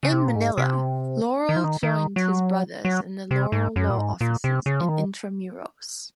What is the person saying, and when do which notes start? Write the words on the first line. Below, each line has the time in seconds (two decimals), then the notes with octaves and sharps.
In Manila, Laurel joined his brothers in the Laurel Law Offices in Intramuros.
0.03 C#3
0.12 C3
0.28 A#2
0.35 G#2
0.58 C3
1.49 D#3
1.56 F3
1.64 D#3
1.83 D#3
2.16 F#3
2.85 F#3
3.31 C3
3.52 G#2
3.76 F#2
3.90 A#2
3.98 G#2
4.21 A#2
4.44 C3
4.66 C#3
4.81 F3
4.89 D#3